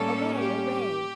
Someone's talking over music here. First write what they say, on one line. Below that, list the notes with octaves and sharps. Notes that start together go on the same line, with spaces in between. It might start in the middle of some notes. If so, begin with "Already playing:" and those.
Away! away!
Already playing: A2 G3 A#3 C#4 A4
G4